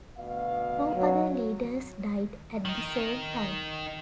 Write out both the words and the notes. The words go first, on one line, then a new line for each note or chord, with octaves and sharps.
Two other leaders died at the same time.
D2 B2 F5
F#3
D#3 D#4